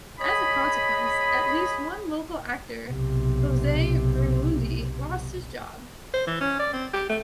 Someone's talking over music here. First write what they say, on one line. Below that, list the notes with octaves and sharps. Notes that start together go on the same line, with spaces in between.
As a consequence, at least one local actor, Jose Reymundi, lost his job.
G#4 C#5 D#5 B5
B1 C3
C5
E3
C#4
D5
C4
G4
A3